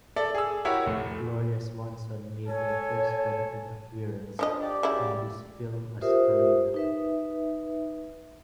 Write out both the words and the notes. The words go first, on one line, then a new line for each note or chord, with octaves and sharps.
Gloria Swanson made her first credited appearance in this film as Farina.
A4 D5 E5
G#4 E6
E4 F#4 G4 A#4 C#5 E5
F1 A3
A4 C#5 G#5
F3 D4 D#5
G4 D5
C#3 F#3 E4
F4 G4 A#4 C5 E5 D#6
D#4 B4 E5